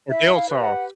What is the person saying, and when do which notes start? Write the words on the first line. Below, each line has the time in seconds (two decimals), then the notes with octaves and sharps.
or dill sauce.
0.09 E4 E5
0.36 F5
0.48 G4 B4
0.57 F5
0.61 F#5